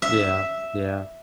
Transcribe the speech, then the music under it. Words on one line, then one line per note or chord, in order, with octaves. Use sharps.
Yeah, yeah.
E5